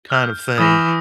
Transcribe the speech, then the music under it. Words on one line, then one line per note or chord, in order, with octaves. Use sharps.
kind of thing,
F6 G6
E3 D#6 A#6